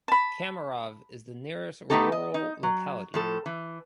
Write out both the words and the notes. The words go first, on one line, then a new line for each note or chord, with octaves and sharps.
Komarov is the nearest rural locality.
A5 B5
A3 B3 C4 D#4 G4 A4
D#5
D#4
F#3
A2 F3 A4
E3